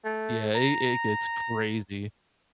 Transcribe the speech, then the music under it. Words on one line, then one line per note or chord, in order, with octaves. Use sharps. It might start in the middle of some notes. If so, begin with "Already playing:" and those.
Yeah, it it gets crazy.
A3
A#5